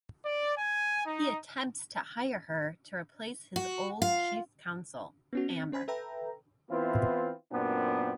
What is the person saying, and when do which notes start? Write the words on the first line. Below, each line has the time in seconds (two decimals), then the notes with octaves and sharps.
He attempts to hire her to replace his old Chief Counsel, Amber.
0.25 D5
0.58 G#5
1.06 D#4
3.56 F#4
4.02 F4 F5
5.33 B3 C#4 F#4
5.50 C4
5.72 C#4 C5 G#5 B5
5.88 A4 B4 E5 G5 A#5
6.70 E3 B3 C4 E4 F4
7.52 F#2 A#2 B3 C4 D4